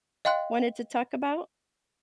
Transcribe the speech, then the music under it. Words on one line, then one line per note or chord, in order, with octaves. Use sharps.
wanted to talk about?
D#5 F5 G5 C6 F#6